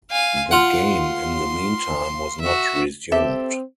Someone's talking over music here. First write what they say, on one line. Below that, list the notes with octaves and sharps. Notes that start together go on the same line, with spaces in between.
The game, in the meantime, was not resumed.
F5 G#5
F4 F#5 C6
F#4 E5
C4 G4 A4 E5